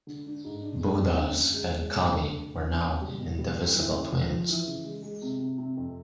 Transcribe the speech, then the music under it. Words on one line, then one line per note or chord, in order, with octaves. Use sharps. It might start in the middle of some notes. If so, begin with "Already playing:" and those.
Buddhas and kami were now indivisible twins.
D3
D4
G#2
D4
G#3
C3
D3
F#2
G#3
G#3
A3
A3
D3
D3
F2
C#3
G3
B2
G3
G3
E3
C#3
F3
F3
E3
C#3
G#3
G#3
C3
C3
C3
F2